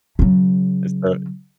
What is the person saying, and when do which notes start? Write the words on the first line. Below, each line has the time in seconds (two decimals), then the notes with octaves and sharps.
is that
0.19 C#3 F#3